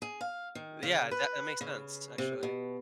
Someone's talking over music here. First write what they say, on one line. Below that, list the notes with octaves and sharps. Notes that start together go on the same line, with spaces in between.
Yeah, that that makes sense, actually.
G#4
F5
D#3
C#3
B4
C#3
C3
B2